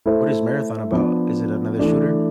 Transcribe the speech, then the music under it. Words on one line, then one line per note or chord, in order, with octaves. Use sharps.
What is Marathon about? Is it another shooter?
A3 E4 A4 C5
F3 B3 D4
E3 A3 D4